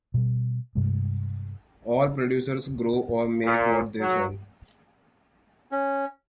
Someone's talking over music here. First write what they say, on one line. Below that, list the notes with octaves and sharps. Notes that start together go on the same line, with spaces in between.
All producers grow or make what they sell.
B2 G3
G2 C3 G3 G#3
A#2
F#3
C#4